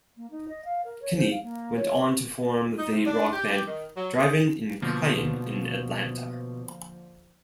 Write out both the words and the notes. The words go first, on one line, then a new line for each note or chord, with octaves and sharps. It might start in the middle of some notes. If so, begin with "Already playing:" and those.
Kinney went on to form the rock band Drivin' N' Cryin' in Atlanta.
A#3
D#4
D#5
F5
A#4
C#5
C5
F5
A#3
C#5
C#6
D#4
C3
D4
G4
G4
D#3
F#3
G#4
B2 D3 F3 A#3